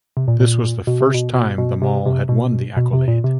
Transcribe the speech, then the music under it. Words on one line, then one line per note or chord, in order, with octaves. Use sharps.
This was the first time the mall had won the accolade.
C3
A#2
A#2
B2
C3
B2
B2
B2
C3
C3
B2
B2
C3
A#2
C3